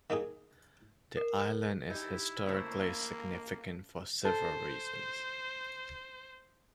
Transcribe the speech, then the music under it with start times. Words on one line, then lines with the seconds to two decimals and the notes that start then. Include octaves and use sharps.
The island is historically significant for several reasons.
0.10 D#3 A#3 D#4 G#4
1.17 A#4
1.90 D#4 E4 G4
2.46 C#3 A3 A#3 C5
4.25 A4 C5